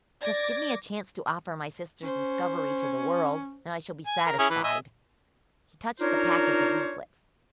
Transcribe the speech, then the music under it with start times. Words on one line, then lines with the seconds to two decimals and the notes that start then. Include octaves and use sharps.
"Just give me a chance to offer my sister's discovery to the world, and I shall be satisfied!" He touched the package of leaflets.
0.22 D5 D6 G#6 A#6
2.03 C#4 C5
4.07 G#5
4.26 A#4
4.39 C#4 E4 G#4
4.50 E3 B4
4.64 D#5 E5 G#5
6.00 D4 D#4 F4 A#4 C5 C#5